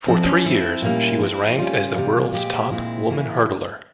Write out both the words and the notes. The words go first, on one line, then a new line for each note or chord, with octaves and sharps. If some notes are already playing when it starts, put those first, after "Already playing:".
For three years, she was ranked as the world's top woman hurdler.
F3 G#3 C4 E4
C#4
F3 C4 E4
A#2 G3 A#3 C#4
F3 C4 E4
C#3 G3 C#4 F4
C3 E3 G3
A#2 G#3 C4 G4
A#2 G#3 C4 E4
C#3 E3 G3 A#3